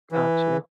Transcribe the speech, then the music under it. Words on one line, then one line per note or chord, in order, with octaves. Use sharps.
Got you.
E3